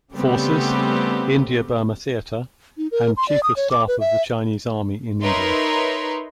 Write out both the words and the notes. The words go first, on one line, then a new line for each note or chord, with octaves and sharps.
Forces, India-Burma Theater, and Chief of Staff of the Chinese Army in India.
C#3 G3 A3 B3 C4 G4
D#4
A#4
C6
D5
D#6
C#5
D6
B4
E5
D#4 A#4 B4 C#5 E5 C6